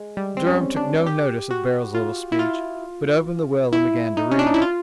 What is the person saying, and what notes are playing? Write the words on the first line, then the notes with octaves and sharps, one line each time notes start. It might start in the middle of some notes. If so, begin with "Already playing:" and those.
Durham took no notice of Beryl's little speech, but opened the will and began to read.
Already playing: G#3
G3
C4
C#4
D4
G4
F#4
F4
E4
F4
E4
D#4
C#4
D4
D#4
E4
F4